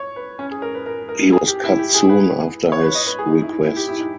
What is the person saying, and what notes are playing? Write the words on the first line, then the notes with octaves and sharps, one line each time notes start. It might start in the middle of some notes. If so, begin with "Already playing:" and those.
He was cut soon after his request.
Already playing: C#5
B4
C#4
G#4
A#4
B4
A#4
A#4
G#4
G4
E4
G4
G#4
B4
C#5
B4
D#5
B4
G#4
D#4
E4
E4
G4
E4
D#4